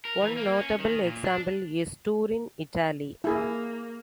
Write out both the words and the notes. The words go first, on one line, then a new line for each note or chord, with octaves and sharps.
One notable example is Turin, Italy.
A#4
E3
A#3
C#4
D#3
A#2
D4
A#3 E4 G#4